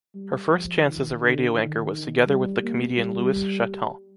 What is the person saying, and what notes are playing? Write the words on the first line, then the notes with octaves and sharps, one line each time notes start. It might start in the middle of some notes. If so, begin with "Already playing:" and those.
Her first chance as a radio anchor was together with the comedian Luis Chataing.
G3
F3
D#3
D3
D#3
D#3
G3
A#3
G3